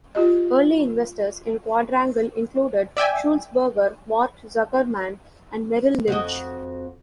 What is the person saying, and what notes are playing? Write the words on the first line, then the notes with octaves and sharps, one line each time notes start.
Early investors in Quadrangle included Sulzberger, Mort Zuckerman, and Merrill Lynch.
F4 G4 D#5
D5 E5 G5 G#5
F2 F#4 D#5